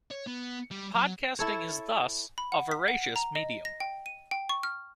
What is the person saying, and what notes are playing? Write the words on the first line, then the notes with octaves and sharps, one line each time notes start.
Podcasting is thus a voracious medium.
C#5
B3
G3
F#3
E4 A4 C#5
B5
F#5
B6
F#5
A#5
D#5
A#6
G5
D#7
G5
C#6
F6